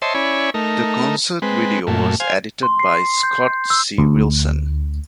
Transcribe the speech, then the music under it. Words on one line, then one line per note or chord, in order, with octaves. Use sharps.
The concert video was edited by Scott C. Wilson.
C5 C#5 D#5 E5 A5 C6
C#4 E4 C#5 D5 G#5 B5
A3 D#4 A#4
G#3 C4 B4
F#2 A#2 A3
C5 F5 G#5
C6
C7
G6
E6
D2